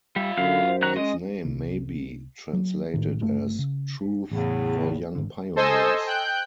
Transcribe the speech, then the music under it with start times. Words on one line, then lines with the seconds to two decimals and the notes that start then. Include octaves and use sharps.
Its name may be translated as "Truth for Young Pioneers".
0.16 G3 F4 E5
0.38 F#2 D3 F5
0.65 C5
0.83 D#3 F#4 A#5 F#6
0.97 G#3 C#4 D#5
1.45 C2
2.53 F#3
2.94 A#1 A2 D#3
3.20 G1 C#3 A3
3.59 C#3
4.31 A1 E2 A2 C#3
5.15 G#1 D3
5.56 A4 C5 D#5 G#5 E6
6.07 G5 F#6 G6